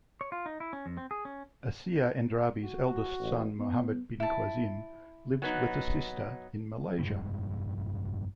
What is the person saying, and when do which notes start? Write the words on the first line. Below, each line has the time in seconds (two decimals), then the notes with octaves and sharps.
Asiya Andrabi's eldest son Muhammad bin Qasim, lives with her sister in Malaysia.
0.21 C#5
0.32 F4
0.46 D#4
0.60 E4
0.73 C#4
0.86 F2
0.97 C4
1.11 G#4
1.25 C#4
2.65 F#4
3.19 A1
3.59 B3
4.20 E4 A5
5.42 F#3 B3 D#4
6.98 F1 A#1 G2 G#3